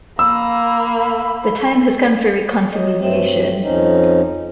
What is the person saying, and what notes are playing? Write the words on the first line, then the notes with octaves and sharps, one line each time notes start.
The time has come for reconciliation!
A#3 B5 E6
F#3 D#5
G2 F#3 A3 C4
F2 F3 C#4 D#4